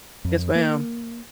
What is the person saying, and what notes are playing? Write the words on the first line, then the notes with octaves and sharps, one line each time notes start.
Yes, ma'am.
F2
A#3